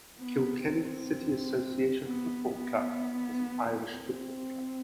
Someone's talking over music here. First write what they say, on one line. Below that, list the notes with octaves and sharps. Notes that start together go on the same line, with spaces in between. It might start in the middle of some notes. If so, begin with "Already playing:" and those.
Kilkenny City Association Football Club was an Irish football club.
B3
C4
B3
B3
C4